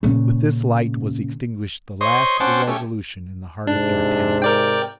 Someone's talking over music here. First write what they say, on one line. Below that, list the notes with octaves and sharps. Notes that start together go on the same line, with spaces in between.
With this light was extinguished the last irresolution in the heart of d'Artagnan.
A#2 C#3
C5 C#5 D#5 C6
C4 C#4 C5 F#5 A5 D6
A3 C#4 G4
G#2 C3 D4
A#4 D5 G5